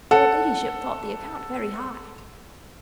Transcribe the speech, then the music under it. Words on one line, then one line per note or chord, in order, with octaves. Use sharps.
"Your ladyship thought the account very high."
A4 F#5